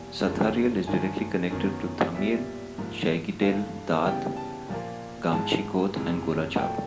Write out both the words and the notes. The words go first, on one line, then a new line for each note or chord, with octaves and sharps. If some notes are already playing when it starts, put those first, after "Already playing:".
Sathariel is directly connected to Thamiel, Chaigidel, Da'at, Gamchicoth and Golachab.
Already playing: E2 B2 G3 A#3 G#5
F#2 D3 F3 G#3
G2 D#3 F#3 G#5
F#2 D#3 F#3 B3
A#2 G3 B3 E5
G#2 F3 A#3
G2 E3 A3 F5
C#3 E3 G3 B3 G5
A5
A#2 F3 A#3
G#2 E3 G#3 A5
F2 C3 E3 G#3
F#5
A#2 F#3 A3 G5